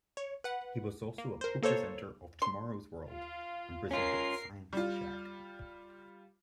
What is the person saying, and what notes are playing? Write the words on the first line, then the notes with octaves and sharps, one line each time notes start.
He was also a co-presenter of "Tomorrow's World", and presented "Science Shack".
C#5
B4 F#5
A#3
A#4 C5
A#3 A4 C5 C#5
C6
F4
C#4 F4 A#4 C7
G3 F4